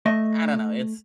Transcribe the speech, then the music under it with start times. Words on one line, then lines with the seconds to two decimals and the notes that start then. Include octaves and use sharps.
I don't know. It's
0.06 A3 D#5 E5